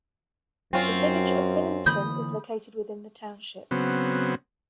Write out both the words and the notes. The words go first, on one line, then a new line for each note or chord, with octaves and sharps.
The Village of Millington is located within the township.
F#2 F#3 C4 C#4 F4
D3 E3 A#3 B5 D#6 G6
C#3 F#3 B3 C4